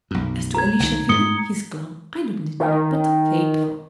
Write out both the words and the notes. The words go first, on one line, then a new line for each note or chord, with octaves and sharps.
As to Elisha Finney, he's glum, I don't deny, but faithful!
B1 F#2
A#5 G#6
C2 D#3
G#2 F#3 A3 D#6 C#7 G7
D#3